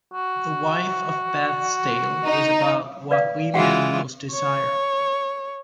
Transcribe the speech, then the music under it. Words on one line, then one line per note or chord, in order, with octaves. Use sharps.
"The Wife of Bath's Tale" is about 'What women most desire'.
F#4
D#4
B4 D5 F5
E3 G#3 F4 F#4 F#5 G5
C#5